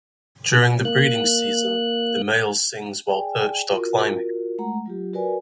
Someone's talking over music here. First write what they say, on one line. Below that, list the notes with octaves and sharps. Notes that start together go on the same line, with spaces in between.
During the breeding season, the male sings while perched or climbing.
A#3 F#6
G#4 D5 G5 G#5
F4 F#4 A#4
G#3 A3 F#5 A#5
F#3 F4 G4
F#4 A#4 B4 D5 G#5